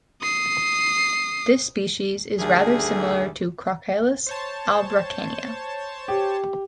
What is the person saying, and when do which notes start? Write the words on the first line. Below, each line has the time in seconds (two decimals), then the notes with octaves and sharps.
This species is rather similar to "Crocallis albarracina".
0.21 D#6 C7
2.39 D2 D#3 G3 A3 G#4
4.27 C5 C#5 A5
6.08 G4